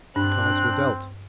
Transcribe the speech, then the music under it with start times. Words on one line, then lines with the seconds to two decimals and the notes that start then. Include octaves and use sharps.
The cards were dealt.
0.16 G2 C4 D4 F#6